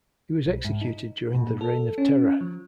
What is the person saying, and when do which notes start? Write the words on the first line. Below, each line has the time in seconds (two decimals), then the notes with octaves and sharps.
He was executed during the Reign of Terror.
0.46 B1
0.64 G#2
0.81 D#4
1.35 A#2
1.61 A4
1.98 C#4
2.41 F3